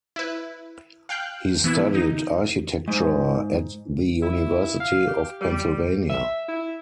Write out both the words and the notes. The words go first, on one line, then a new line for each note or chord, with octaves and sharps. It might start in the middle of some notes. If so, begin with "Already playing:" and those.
He studied architecture at the University of Pennsylvania.
E4 B4
F5 G5 F#6 G6
E3 B3 E4
D#4
G#2
E4
F5
G4
G3
E5
E4